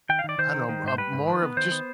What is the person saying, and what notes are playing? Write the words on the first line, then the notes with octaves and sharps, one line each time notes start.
I don't know uh, a more of just
D#3 G5
F5
D#3 D5
D#3 C5
D#3
D#3
G#2 C5
G3 B4
G#2
D#3
B3
D#3 C5
B3